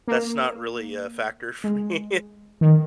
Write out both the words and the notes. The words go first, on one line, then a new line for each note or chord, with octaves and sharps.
that's not really a factor for me.
A#3
G#3
D#3